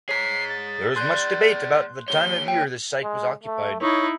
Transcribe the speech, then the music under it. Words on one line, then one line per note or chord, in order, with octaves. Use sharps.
There is much debate about the time of year the site was occupied.
G#4 C#5 A#5 B6 C7
A6
G#4 D5 C6 F#6 G6
G4 C#5 G7
G5
G#3
A3
D#4 E4 C#5